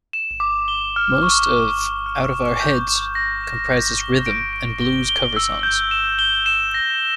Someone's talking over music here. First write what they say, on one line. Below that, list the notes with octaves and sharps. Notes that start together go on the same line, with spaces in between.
Most of "Out of Our Heads" comprises rhythm and blues cover songs.
E7
D6
G7
F6
C#6
F6
G7
F6
E7
G6
E7
A#6
E7
G6
G7
D7
D7
G7
G7
E6
G6
E7
G7
E7
A#6